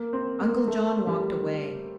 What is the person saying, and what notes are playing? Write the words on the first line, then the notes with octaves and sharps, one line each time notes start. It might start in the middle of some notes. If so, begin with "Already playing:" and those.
Uncle John walked away.
Already playing: A#3
C4
A#3
A3
G3